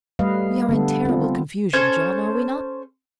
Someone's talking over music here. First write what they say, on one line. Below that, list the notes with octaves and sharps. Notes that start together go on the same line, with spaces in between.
"We are in terrible confusion, John, are we not?"
G3 A3 B4 D#5 F5
D3 B3 A4
C4 F4
C#4 A4 C5 C#5